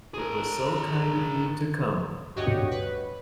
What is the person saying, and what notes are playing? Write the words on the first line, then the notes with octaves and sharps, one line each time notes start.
It was so kind of you to come!
G#4 A#4
D2 G2 F#4 G4 C#5 D#5
B4